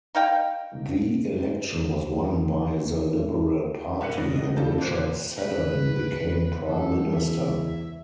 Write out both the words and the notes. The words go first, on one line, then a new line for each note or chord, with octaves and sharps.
The election was won by the Liberal Party, and Richard Seddon became Prime Minister.
D#4 F5 G5
F#1 B1 A#3 F#6 C#7 F#7
F1 F#3 D#6 A#6
D#5
C#3 G3 A4 F5 A5 G6
G#1 A#2 C5 D6 F#6
G#2 B4
E2 A4
E5